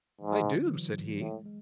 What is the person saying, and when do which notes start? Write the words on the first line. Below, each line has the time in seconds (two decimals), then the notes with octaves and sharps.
"I do," said he.
0.21 G#2 E3
0.46 D3
0.66 F#3
0.70 E3
1.16 F#3
1.20 A2 G#3
1.46 G#3